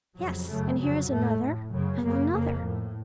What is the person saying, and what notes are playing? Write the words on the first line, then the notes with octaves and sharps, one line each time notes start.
Yes--and here is another, and another.
F2 C#3 F#3
F#2 C#3 A3
F2 C#3 F#3
A2 A3
A2
F#2 C#3
F#2 C#3 A#3
F2 C#3 A#3
A2